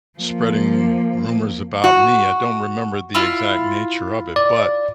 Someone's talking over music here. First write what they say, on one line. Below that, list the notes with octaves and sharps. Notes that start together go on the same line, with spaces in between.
spreading rumors about me, I don't remember the exact nature of it, but,
F3 A#3
F#4
E4 F4
D5